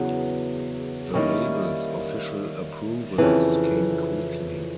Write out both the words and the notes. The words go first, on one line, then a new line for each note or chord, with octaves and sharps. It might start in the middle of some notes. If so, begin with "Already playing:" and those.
The label's official approvals came quickly.
Already playing: E2 C#3 F#3 B3
D#3 G3 A#3 C#4 E4
F2 C#3 E3